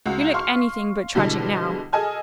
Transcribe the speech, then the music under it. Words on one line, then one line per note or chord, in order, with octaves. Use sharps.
"You look anything but tragic now."
C#2 F#4
F5 C6 C#6 F6
B2 D3 E3 G3 G#3
G#4 A4 D#5 G#5 F6